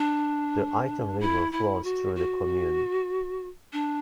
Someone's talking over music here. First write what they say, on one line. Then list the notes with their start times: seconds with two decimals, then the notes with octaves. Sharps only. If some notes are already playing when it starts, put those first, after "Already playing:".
The Iton river flows through the commune.
Already playing: D4
1.20 E4
1.52 E4
1.83 F#4
2.15 F#4
3.73 D4